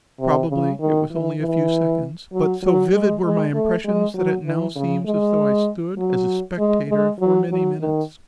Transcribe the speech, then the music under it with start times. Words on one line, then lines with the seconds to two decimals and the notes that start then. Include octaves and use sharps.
Probably it was only a few seconds, but so vivid were my impressions that it now seems as though I stood as a spectator for many minutes.
0.19 C3
0.50 C#3
0.80 D#3
1.11 E3
1.41 E3
2.33 F#3
2.63 F#3
2.93 G#3
3.24 G#3
3.54 A3
3.85 G#3
4.14 F#3
4.46 E3
4.76 C#3
5.06 G#3
5.98 F#3
6.59 G#3
6.89 G#3
7.19 F#3
7.50 F#3
7.81 D#3